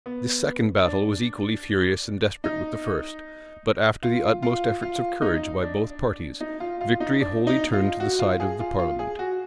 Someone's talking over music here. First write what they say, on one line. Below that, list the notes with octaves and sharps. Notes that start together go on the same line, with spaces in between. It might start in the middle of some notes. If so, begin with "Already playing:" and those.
This second battle was equally furious and desperate with the first: but after the utmost efforts of courage by both parties, victory wholly turned to the side of the parliament.
B3
D4
D#4
F4
F4
F4
D#4
D4
D#4
F4
F4
D#4
D4
D#4
F4
F#4
F4
G#4
F4
F4
G#4
F#4